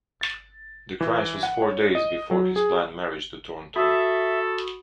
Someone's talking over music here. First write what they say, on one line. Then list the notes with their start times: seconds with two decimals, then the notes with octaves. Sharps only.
The crash was four days before his planned marriage to Thornton.
0.21 A6
1.01 E3
1.43 F#5
1.62 C#5
1.95 D#5
2.31 F#3
2.56 G#4
3.76 F#4 A4 E5 B5 D#6